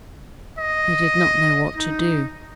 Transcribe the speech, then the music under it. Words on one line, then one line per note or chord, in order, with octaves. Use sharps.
He did not know what to do.
D#5
D#4